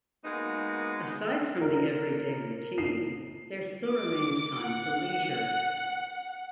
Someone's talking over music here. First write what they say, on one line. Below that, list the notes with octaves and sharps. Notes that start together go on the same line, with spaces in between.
Aside from the everyday routine, there still remains time for leisure.
G#3 A#3 B3 D#4 F#4
A#4
C7
D6
F#5